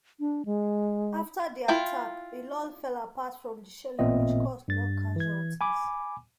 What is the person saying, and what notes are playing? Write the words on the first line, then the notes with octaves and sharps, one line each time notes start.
After the attack, a lull fell apart from the shelling, which caused more casualties.
D4
G#3
E4 F4 G5
A1 A#2 B3 C4 D#5 E5
G2 A6
E3 G#6
G#5 B5 D6